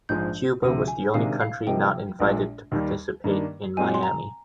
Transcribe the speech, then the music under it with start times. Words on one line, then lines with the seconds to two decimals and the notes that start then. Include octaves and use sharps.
Cuba was the only country not invited to participate in Miami.
0.09 A#1 G#2 F3 G#3 G6
0.62 D2 C3 F3
0.88 G#5
1.14 C3 D#3 G#3 D4 F5
1.41 F5
1.67 C3 F3 A#3 D#4 G5
2.20 A#1 A#2 G#3
2.72 D#2 D#3 G3
3.24 G2 D#3 A#3 D4
3.77 A#2 G#3 C4 D#4 G#5
3.94 C6
4.03 A#5